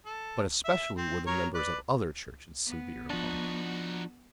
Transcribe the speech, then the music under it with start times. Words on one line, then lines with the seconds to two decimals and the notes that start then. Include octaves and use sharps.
But especially were the members of other churches severe upon him.
0.05 A4
0.65 E5
0.98 C4
1.27 F#3 A#4 C#5
1.54 B4 D5
2.65 B3
3.10 F3 D4 D#4 F#4